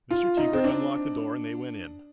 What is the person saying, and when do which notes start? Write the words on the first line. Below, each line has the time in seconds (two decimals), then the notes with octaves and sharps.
Mr. Tebrick unlocked the door and they went in.
0.11 F4
0.37 D#4
0.53 C4
0.64 D4